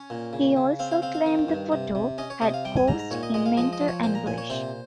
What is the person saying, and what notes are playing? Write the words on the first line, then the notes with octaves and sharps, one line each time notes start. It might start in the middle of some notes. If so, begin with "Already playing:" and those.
He also claimed the photo had caused him mental anguish.
Already playing: C#4 C#5
A#2
C#3
C#3
C4 F5
F5
C4 F5
F5
D#3
G2
C3
C3
C#4 D#5
C#5
C3 D#5
F5
G3 G5
G#5
G#2 A#5
A#5
A#2 C#5
D#5
G#3 D#5
F5
F3 D#5
D#5
F3
C#5
A#2 C5
A#5
A#2 G#5
C#5
C3 C5